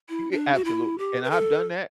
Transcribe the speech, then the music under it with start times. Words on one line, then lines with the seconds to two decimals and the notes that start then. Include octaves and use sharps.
Y a absolutely. And I've done that,
0.09 E4
0.31 D4
0.54 F#4
0.64 E4
0.98 G4
1.24 B4
1.30 A4